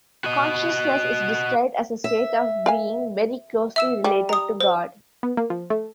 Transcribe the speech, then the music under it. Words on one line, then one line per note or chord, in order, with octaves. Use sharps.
Consciousness is described as a state of being, very closely related to God.
F#4 D#5
E5
A#4 F5 G#5
E5 E6 E7
G3
A#5 D#6
C5
B3
A#3
F3
A3